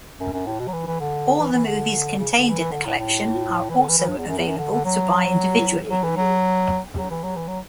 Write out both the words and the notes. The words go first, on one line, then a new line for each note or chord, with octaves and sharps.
All the movies contained in the collection are also available to buy individually.
F#2
F#2
A2
B2
F#3
E3
E3
D3
E3
E3
D3
C#3
D3
E3
E3
D3
A2
A2
E3
D3
E3
E3
G2
E2
F#2
E2
F#2
D3
D3
F#3
F#3
E3
F#3
F#3
E3
F#3
E3
F#3